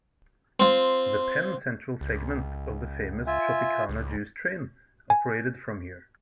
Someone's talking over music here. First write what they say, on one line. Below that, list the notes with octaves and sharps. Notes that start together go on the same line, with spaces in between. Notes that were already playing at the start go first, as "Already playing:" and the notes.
The Penn Central segment of the famous Tropicana Juice Train operated from here.
C4 F4
C#2
F4 E5 G#5
C#2
G#5